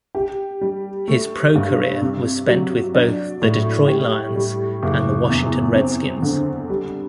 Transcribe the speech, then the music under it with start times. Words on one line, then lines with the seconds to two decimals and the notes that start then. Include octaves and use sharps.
His pro-career was spent with both the Detroit Lions and the Washington Redskins.
0.15 G4
0.61 G3
1.08 A3
1.55 G2
2.02 C3
2.48 F#3
2.95 D4
3.42 A2
3.88 G4
4.36 G3
4.83 F#1
5.29 E2
5.75 C4
6.22 D3
6.70 G3